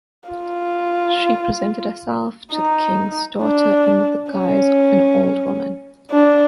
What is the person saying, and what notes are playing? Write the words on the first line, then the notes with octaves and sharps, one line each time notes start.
She presented herself to the king's daughters in the guise of an old woman.
F4
D#4
D4
C#4
D4